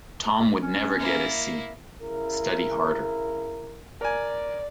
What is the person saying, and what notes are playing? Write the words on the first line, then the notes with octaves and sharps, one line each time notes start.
Tom would never get a C, study harder.
C#4
A#3 E4
C#3 E4 A#4
A#4 D5 G#5